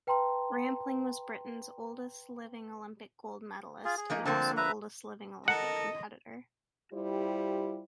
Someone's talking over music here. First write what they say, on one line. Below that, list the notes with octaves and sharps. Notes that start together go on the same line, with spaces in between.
Rampling was Britain's oldest living Olympic Gold medallist and also oldest living Olympic competitor.
B4 G5 A5 A#5 C6
F4 G#4
G#4
F3 A#3 D#4
D3 F3 A#3 C4 A5
B4 E5 A#5
A4 A#4 D#5 F#5
G3 E4 F4 G4 C5